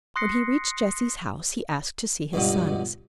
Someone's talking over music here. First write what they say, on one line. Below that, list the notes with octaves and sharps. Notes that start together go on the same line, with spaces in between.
When he reached Jesse's house, he asked to see his sons.
C6 D#6 F#6 A#6 C7 C#7
C#2 G2 B2